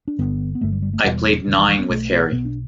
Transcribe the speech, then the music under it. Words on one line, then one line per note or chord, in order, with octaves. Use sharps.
I played nine with Harry.
D4
G1 G2 D3 B3
B3
G1 G2 D3 A3
G3
G3
A3
E1 E2 B2 G3
E1 E2 B2 D3
E3
E3
B3
B1 B2 A3
B1 B2 B3
D4